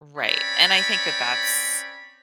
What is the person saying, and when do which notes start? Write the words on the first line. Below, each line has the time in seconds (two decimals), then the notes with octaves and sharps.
Right, and I think that that's
0.17 C4 C#4 C#5 D5 B5